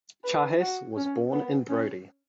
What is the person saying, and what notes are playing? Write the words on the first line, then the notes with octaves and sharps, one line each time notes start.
Chajes was born in Brody.
B4
F#4
C#4
B3
C#4